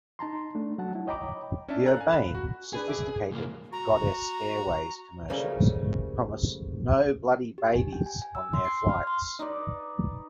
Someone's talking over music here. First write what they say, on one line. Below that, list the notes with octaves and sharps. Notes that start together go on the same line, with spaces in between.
The urbane, sophisticated Goddess Airways commercials promise "no bloody babies" on their flights.
D#4 A5 A#5 C6
A3 D4
F#3 F#5 A5
E4
C#5 D#5 G5 A#5 B5 D6
C#4 D4 D5 E5 A5
A4 G#5 A#5 F#6
F5 G#5
B5
F#4
D4 G#4 B4 G#5
E5 D6
C2 A#3
F#4 A#5
C#3 F3 G3 A3 A#3 C#4
G4
G#5
G5
G#5
G#5
E6
C6
C7
F6
C6
D#4 B4 D5